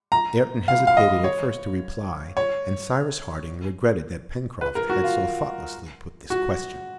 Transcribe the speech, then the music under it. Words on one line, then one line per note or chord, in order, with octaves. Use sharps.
Ayrton hesitated at first to reply, and Cyrus Harding regretted that Pencroft had so thoughtlessly put this question.
A#5
F5
F5
D#5
C#5
C#5
B4
A#4
F#4
F4
F#4